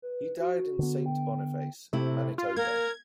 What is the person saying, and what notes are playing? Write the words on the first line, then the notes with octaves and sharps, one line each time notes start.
He died in Saint Boniface, Manitoba.
B4
F#4
D3 B3
G5
C3 A3 E4
F4
A#3 A#4 G#6